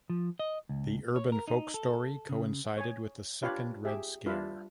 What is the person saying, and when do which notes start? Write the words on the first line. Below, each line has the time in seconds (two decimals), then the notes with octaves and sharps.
The urban folk story coincided with the Second Red Scare.
0.10 F3
0.39 D#5
0.69 C#2
1.16 C#5
1.32 A#4
1.48 D#4
1.74 A4
2.29 C#3
2.77 C#5 G#5
3.42 D4 F4 G4 B4 C#5 F5
3.85 G4 G#4 E5
4.26 G3 D4 F4 B4 E5 F5